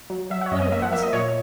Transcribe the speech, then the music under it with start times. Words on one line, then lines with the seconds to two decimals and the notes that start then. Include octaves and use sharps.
What a bustle!
0.10 F#3
0.30 F#3 E5
0.41 F#5
0.46 C#5
0.51 F#2 D#5
0.62 D#5
0.72 A#3 E5
0.82 F#5
0.92 A#3 E5
1.03 D#5
1.13 A#2 C#5